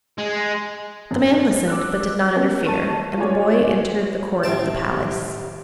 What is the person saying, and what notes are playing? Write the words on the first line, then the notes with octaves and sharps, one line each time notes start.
The man listened, but did not interfere, and the boy entered the court of the palace.
G#3
G#1 F#2
A#1
D6 E6 F#6
A#3 B3 C#4
A5 C#6 D#7
F4 F#4 G#4 C#5 D5
A1 D#3 C4 G4 E5 A5